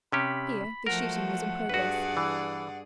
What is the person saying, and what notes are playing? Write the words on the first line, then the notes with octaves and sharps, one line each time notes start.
Here the shooting was in progress.
C3 C#4 G4 B5
F3 F#3 A3 A#4 F#5
G2 F#4 G#4 B4 D5
E3